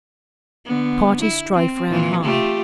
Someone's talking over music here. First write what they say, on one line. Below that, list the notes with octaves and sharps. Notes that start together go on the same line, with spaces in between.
Party strife ran high.
D3 B3
E4
C4
A#2 E3 F4
A3 F4 G4